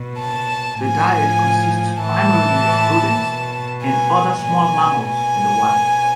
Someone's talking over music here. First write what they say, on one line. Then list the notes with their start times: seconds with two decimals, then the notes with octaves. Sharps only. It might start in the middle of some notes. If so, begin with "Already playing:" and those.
The diet consists primarily of rodents and other small mammals in the wild.
Already playing: B2
0.19 A5
0.80 A2 F3 G#5
2.01 A2 E3 A5
3.22 B2
3.83 G#5
4.44 B2 G#5
5.05 G#5
5.65 B2